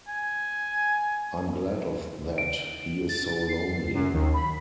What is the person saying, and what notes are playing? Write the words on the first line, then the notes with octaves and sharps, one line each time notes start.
I'm glad of that, he is so lonely.
G#5
D7
A6
C7
F#2
D#2
B5